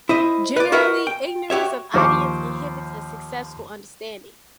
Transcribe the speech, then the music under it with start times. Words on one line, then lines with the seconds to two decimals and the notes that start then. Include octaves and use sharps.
Generally ignorance of audience inhibits a successful understanding.
0.09 E4 C5 D#5
0.56 B4 D5
0.72 F#4 A#4 B4 D#5 E5 F#5
1.07 G5
1.50 F#4 G4 C#5 E5
1.94 D#2 F3 C5 C#6 D6